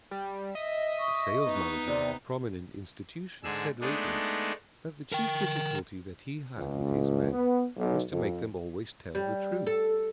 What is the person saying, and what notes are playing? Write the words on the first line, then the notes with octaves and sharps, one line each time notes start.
A sales manager of a prominent institution said lately that the chief difficulty that he had with his men was to make them always tell the truth.
G3
D#5 E5
C#6
B3 D#4
C3 D5
G#2 D3 G#4 E6
G#3 A3 B3 D4 D#4
A#4 G5
C#2
B3
B1
F2
G3
A4